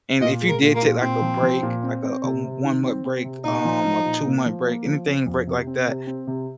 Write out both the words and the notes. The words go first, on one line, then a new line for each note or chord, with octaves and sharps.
And if you did take, like, a break, like, a a one-month break, um, a two-month break, anything with a break like that"
A#2 D#5
G#3
A#4
A#2
A#3
A#2
A#2 C4
F3
F3
A#2
C4
C4
C3
C3
D#3
C4
C4
C3
A#2 D#4
F3
F3
A#2
A#3
F3
A#3
F3
C4
F2
C3
C4
C3
C4
C3